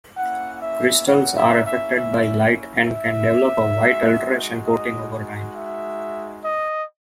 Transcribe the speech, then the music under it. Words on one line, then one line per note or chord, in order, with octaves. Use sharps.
Crystals are affected by light and can develop a white alteration coating over time.
A#3 C#4 E4 F#5
E5
F#5
E5
E5
E5
E5
G#3 D#4 F#4
D#5
E5
D#5